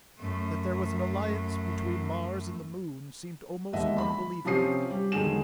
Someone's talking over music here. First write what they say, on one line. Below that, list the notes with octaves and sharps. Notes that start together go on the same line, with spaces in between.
That there was an alliance between Mars and the Moon seemed almost unbelievable.
F#2 A3
E1 D#2 D#5 E5 F#5
B5
C3 F3 C#4 G4 D#6 C7
G3
E1 D3 D#3 F#3 G#4 E7